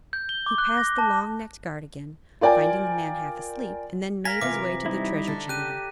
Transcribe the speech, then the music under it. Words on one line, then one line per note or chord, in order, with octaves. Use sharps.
He passed the long-necked guard again, finding the man half asleep, and then made his way to the Treasure Chamber.
G6
G7
D6
F#6
A#6
A5
F4 A#4 D5 G5 G#5
A#4 F5 G#5 A#5 A#6 B6
C3 E3 F4 D6
G3 D#4 E4
D3
G4 F#6 D#7